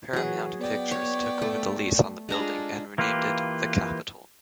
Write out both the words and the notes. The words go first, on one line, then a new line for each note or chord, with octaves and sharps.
Paramount Pictures took over the lease on the building and renamed it the Capitol.
E3 F#3 G#4
B3 D5 G5
C#5
A3
G#3 D4 F4 G#4 A4 A#5
E3 A#3 F4 G4 B4